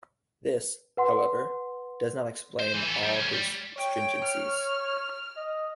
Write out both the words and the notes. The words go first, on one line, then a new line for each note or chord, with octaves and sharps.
This, however, does not explain all of his stringencies.
B4 F#5 C6
C5
E3
B3 A4
F#3 G3
F3 C#4
G3
C#5 G5
F6
D#5